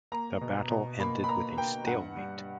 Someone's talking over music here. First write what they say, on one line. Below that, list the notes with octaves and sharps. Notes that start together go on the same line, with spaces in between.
The battle ended with a stalemate.
A#3 A#5
B2
B2
A#3 B5
B5
A#3 A#5
A#3 G5
G2 F#5
G3